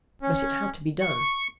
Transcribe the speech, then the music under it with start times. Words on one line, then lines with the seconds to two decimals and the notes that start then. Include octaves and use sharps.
But it had to be done.
0.23 C#4
1.01 C#6